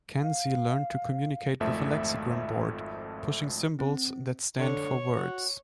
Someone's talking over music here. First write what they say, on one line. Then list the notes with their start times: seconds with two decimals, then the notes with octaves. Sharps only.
Kanzi learned to communicate with a Lexigram board, pushing symbols that stand for words.
0.22 F5
1.60 G#1 F2 A3 E5
3.79 C4
4.59 D3 C#5
5.16 F#4